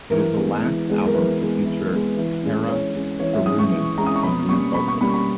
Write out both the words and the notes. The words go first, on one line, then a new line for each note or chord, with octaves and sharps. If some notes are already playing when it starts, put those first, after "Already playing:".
It is the last album to feature Tarja Turunen on lead vocals.
E3 A#4
G#3 B3
E3
G#3 B3
A#4
E3 B4
G#3 B3
E3
G#3 B3
E3
G#3 C#4
E3 C#5
G#3 C#4
E3 C#5
E5
G#3 C#4 D#6
C#6
E3
G#3 C#4 A#5
D#6
C#6
B2 B5
G3 A#3 C#4 C#6
B2 B5
C#6
G3 A#3 C#4 B5
B5